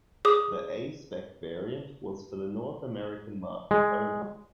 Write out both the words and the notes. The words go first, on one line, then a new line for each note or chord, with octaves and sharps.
The A-spec variant was for the North American market only.
G#4 D6 D#6
G#3